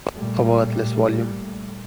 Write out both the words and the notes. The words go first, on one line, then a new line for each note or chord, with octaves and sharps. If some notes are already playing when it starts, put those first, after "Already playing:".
A worthless volume!
A#2 G3 A3